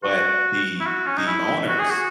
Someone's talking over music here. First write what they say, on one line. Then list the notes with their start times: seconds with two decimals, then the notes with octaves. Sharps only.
but the the owners
0.03 F#4
0.80 E4
0.86 F#4
1.07 C#4
1.17 D#4
1.27 E4
1.68 F#4
1.79 G#4
1.90 F#4